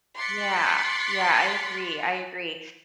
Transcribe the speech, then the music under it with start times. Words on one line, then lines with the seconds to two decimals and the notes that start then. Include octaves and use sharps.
Yeah, yeah. I agree, I agree.
0.16 C6 D6 F#6 A6 B6 C#7